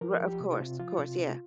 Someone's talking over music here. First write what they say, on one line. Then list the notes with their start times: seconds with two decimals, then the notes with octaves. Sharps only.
Ri of course, of course, yeah.
0.01 F3 A#4
0.21 F3
0.27 G4
0.40 C3
0.53 F4
0.60 C3
0.79 F3 F4
0.98 C3
1.19 C3